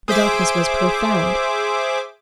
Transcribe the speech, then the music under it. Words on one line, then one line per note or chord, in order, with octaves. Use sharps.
The darkness was profound.
G#4 C5 E5 D6